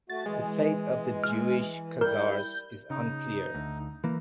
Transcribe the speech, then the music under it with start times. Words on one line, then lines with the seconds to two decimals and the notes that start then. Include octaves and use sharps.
The fate of the Jewish Khazars is unclear.
0.10 A3 F#4 A6
0.26 E3 G#3
1.24 F6
2.01 G3 E4 A#4 G6
2.90 C#3 D#4
3.55 D2
4.04 E3 A#3